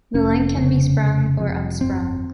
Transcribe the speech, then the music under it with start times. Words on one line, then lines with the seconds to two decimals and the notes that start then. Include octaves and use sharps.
The link can be sprung or unsprung.
0.14 F1 C#4
0.57 C#3
0.97 F1
1.40 F2
1.81 G1 C4